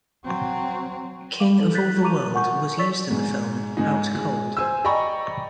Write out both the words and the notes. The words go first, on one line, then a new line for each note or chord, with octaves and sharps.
"King of All the World" was used in the film "Out Cold".
F#3 C4
F5 D6
D#4 A4 F#7
F#6 G6 A6 B6
A5 A#5 C#6 D6 D#7 F7
A#4 F#5 G#5 C#6 D6 G6
C#5 D5 C#6 E6 A6 B6
G#2
G#2 G#3 D#4
G#3
C5 G#5 E6
D5 D#5 G5 A#5 B5 C#6